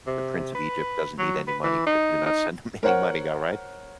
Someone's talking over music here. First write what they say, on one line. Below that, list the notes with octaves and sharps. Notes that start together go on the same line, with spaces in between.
the prince of Egypt doesn't need any money, d do not send him any money, alright?"
C3
B4
F#3
B4
E3
D#4
D#4
A#4 C5 C#5 F#5